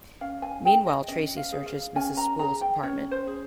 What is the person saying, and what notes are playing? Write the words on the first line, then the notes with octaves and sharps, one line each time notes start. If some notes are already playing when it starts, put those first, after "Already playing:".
Meanwhile, Tracy searches Mrs. Spool's apartment.
C#4 F5
G#5
G#4 G5
D#5
C#4 D#5
F5
G#4
F5
C#4 G#5
A#5
G#4 A#5
G5
C#4 C#5
C5
G#4